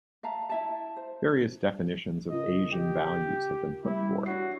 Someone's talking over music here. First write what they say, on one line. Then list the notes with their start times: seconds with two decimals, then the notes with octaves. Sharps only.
Various definitions of "Asian values" have been put forth.
0.23 E5 F5 A5 A#5
0.49 E4 E5 A5
0.96 C5
2.30 C#3 F4 A#4 D#5
2.72 G4
3.85 G3 E4
4.26 D4 F#4 C#5 C7